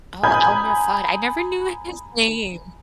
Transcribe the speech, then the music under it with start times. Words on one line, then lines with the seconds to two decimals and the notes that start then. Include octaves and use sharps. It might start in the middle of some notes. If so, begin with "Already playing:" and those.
Oh, Elmer Fudd, I never knew his name.
0.23 G#5 A#5 B5 D#6 G6 G#6